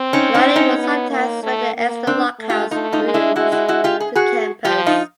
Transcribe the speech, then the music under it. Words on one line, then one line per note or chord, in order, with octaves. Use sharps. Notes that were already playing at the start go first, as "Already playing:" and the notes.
Riley would sometimes rent the extra lock house rooms to campers.
Already playing: C4
C#4 D#4
C#4 D#4
C#4 D#4
B3
A#3
A3
A#3
C4 D4
A3
F4 G4
A3 D#4 F4
D#4 F4
G#3
D4 E4
G#3 E4 F#4
E4 F#4
E4 F#4
F4 G4
G#4
F#4 G#4
F3 F4 G4
D#4 F4